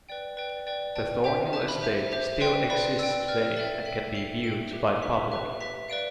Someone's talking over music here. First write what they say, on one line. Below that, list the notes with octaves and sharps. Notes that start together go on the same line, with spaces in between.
The Thornhill estate still exists today and can be viewed by the public.
B4 D5 G5
B4 D5 G5
B4 D5 G5
B4 D5 G5 A5
G4 C5 E5 G5
G4 C5 E5 A5
B5
G4 C5 E5
G4 C5 E5
B4 D5 G5 C6
B4 D5 G5 B5
B4 D5 G5 E6
B4 D5 G5 F6
A4 E5 G5 A6
A4 E5 G5 B6
A4 E5 G5 C7
A4 E5 G5 D7
G4 B4 E5
G4 B4 E5 B6
G4 B4 E5
G4 B4 E5 B6
B4 D5 F5 D7